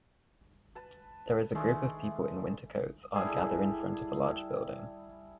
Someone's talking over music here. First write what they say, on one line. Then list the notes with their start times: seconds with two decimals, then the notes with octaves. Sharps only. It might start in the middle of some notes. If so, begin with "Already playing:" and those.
There is a group of people in winter coats are gather in front of a large building.
0.75 B4 A5
1.55 D#3 G#3 A3 D4
3.14 G3 E4 G#4 A4